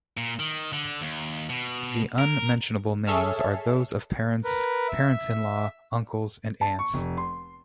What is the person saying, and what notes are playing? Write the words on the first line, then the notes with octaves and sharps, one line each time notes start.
The unmentionable names are those of parents, parents-in-law, uncles, and aunts.
A#2
D#3
D3
D#2
B2
A#4
G#4 A4 C#5 E5 A5 F6
A#4 B4
E5
A5
C#6
F1
C6